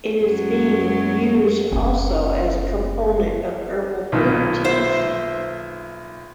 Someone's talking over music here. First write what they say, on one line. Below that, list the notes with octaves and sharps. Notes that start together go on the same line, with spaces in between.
It is being used also as a component of herbal fruit teas.
F#2 F#3 G#3
F#1 C#4
B1 A#2 D#3
C5 E5